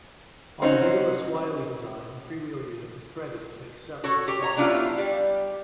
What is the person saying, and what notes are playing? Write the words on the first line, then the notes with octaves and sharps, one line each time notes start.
On the Bayliss-Wiley design the freewheel unit was threaded to accept the sprockets.
C4 C#4 D#4 F#4
F#4 A4 C#5
G4
C#5 A#5
G3 B3 D4 E4 F4 F5
G3